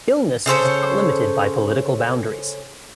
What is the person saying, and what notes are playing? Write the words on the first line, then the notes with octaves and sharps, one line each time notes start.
Illness is not limited by political boundaries.
C#3 A4 C5 C#5